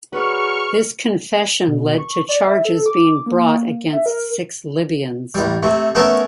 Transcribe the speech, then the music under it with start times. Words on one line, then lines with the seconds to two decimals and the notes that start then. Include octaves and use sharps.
This confession led to charges being brought against six Libyans.
0.13 F#3 G#4 B4 D5 C#6 F6 C#7
1.67 B2
1.98 C#6
2.29 D5
2.47 E5
2.65 A4
2.86 D6
3.26 A#3
3.92 E5
4.06 A#4
5.35 A1 G3
5.63 C3 A3
5.95 A3 B3 C#4 A#4 E5 A5